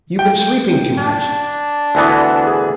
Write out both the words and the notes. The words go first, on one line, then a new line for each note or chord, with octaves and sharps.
You've been sleeping too much.
G5
D4
D2 E3 B3
G#4